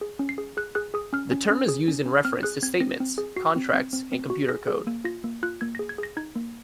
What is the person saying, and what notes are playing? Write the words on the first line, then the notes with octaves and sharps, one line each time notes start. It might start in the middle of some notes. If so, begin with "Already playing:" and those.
The term is used in reference to statements, contracts and computer code.
G#4
C#4
C7
G#4
G#4 F#6
G#4 F#6
G#4 D#6
C#4 F6
C#4
C#4
G#4
C#4
C#4
C4 F6
G#4 F#6
C4 G#6
C4 A#6
C4
G#4
F#4 C7
C4
C4
C4
C4
F#4
G#4 A#6
G#4
A#3
F4 A#6
A#3
F4 F#6
A#3 G#6
G#4 A#6
G#6
G#4 A#6
D#4 G#6
A#3